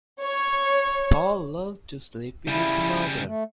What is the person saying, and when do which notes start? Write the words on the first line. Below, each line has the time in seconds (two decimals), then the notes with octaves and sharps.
Paul loved to sleep with his mother.
0.23 C#5
2.48 C#3 G3 E4
3.26 A3